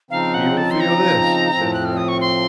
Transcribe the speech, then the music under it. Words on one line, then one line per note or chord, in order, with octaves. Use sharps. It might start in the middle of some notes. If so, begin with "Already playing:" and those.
"He will feel this," said the rector.
C#3 F3 C4 D#4 F5
F#5
A5
C6
A#5
A2 F3 C4
F#6
F6
D#6
C#6
C6